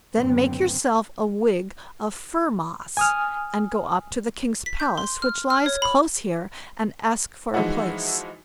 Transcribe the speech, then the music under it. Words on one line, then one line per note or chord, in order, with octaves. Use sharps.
Then make yourself a wig of fir-moss, and go up to the king's palace, which lies close here, and ask for a place.
F#1 A2 D3 F#3 B3 C4
G#5 D#6 F6
B6
G6
C6
F6
F6
C#5
B5
E3 F3 G#3 D#4 E4 F#4